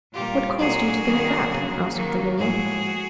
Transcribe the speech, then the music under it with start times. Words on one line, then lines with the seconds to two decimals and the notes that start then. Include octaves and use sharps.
"What caused you to think that?" asked the Ruler.
0.13 A#2 G3 A#3 F4 G4
0.58 A#2 F#3 A#3 F#4 G#4
1.04 D#3 G3 A#3
1.48 C#3 F#3 A#3
1.93 D#3 F#3 A#3
2.37 A2 F3 G#3 F#4 G#4